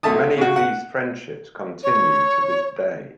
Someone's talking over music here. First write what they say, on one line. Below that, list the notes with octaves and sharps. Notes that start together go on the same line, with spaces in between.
Many of these friendships continue to this day.
B1 A3 E5 A5 D#6
C#3 F#4
F#5
C#5